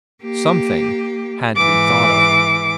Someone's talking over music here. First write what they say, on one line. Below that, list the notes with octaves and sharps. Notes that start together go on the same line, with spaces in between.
Something had to be thought of.
A#3 G4
G#2 E3 D6